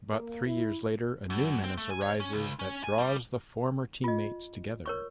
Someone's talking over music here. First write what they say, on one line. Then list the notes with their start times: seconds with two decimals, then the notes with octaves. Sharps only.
But three years later, a new menace arises that draws the former teammates together.
0.11 A#3
0.45 E4
1.30 F#2
1.64 C4
1.78 A3
1.90 G#5
2.02 C#5
2.20 C#4
2.33 C#2
2.59 C#4
2.84 G#5
2.98 G3
4.04 F4 D#5
4.86 A#4 C#5 C#6